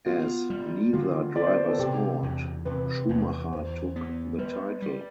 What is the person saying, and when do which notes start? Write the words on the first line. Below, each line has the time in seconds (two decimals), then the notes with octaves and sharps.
As neither driver scored, Schumacher took the title.
0.06 B3 F4
0.50 G3
0.93 D3 F4
1.36 B3 D5
1.47 C5
1.57 B4
1.69 A4
1.79 C3 G4
2.23 E2
2.65 C3 B4
3.09 E2
3.52 E2 C5
3.96 B3
4.39 G3 B4
4.82 G3